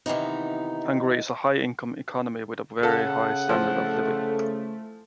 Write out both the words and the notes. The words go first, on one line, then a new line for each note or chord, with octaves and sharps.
Hungary is a high-income economy with a very high standard of living.
C3 D#3 E3 B3 D#4
C#3 F4 A4 F#5
E3 F3 A3 C4